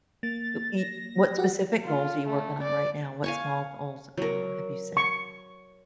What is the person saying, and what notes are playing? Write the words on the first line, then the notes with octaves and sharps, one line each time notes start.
You i what specific goals are you working on right now, what small goals, uh, have you set?
A#3 A6
A#6
F#4 G4 F#5
F4
A3
D5
F5 G#5 C#6
F#3 A#4
C#6